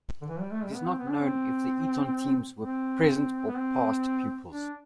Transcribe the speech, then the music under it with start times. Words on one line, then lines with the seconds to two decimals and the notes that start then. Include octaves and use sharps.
It is not known if the Eton teams were present or past pupils.
0.22 D3
0.28 E3
0.40 G3
0.51 A3
0.63 G3
0.74 B3
0.87 C4
0.99 B3
1.10 D4
1.22 C4
2.62 C4
3.47 B3
3.57 C4
4.50 D4